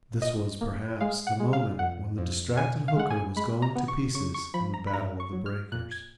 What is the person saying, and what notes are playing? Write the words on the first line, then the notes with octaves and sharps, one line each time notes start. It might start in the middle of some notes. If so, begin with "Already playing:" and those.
This was, perhaps, the moment when the distracted hooker was going to pieces in the battle of the breakers.
A#2 D#5
A#3
G#3 F5
F#5
G#3
F5
F2 F#5
F2
B2 G#5
F5
G#3 F#5
G#5
G#3 B5
A#5
B3
C#6
C#3 C#6
C#6
F3 B5
A#5
B5
G#2 A#5
C#6
F#3
F6
A#2 F#6
G#6